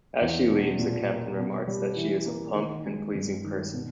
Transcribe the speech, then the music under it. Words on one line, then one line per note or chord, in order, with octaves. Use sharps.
As she leaves, the Captain remarks that she is "a plump and pleasing person".
E2
B2
A#2
A#3
B2
G3
E3
A#3
D#3
G#3
G2
D#3
B2